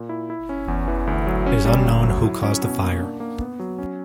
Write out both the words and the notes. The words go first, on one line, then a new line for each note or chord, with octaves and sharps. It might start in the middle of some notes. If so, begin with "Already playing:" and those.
It is unknown who caused the fire.
Already playing: A#2
E4
E4
C#4
E2
E3
D2
F#3
C#4
G3
D2
F#3
E4
C#4
B2
A#3
D4
A#3
B3
F#3
C#4